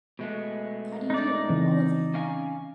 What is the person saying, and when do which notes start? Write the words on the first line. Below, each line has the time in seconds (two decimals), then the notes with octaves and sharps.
How do you do, all of you?
0.19 B2 G#3 A3
1.10 D#4 D5
1.49 C#3 E3 C4
2.14 C#4 F5 G#5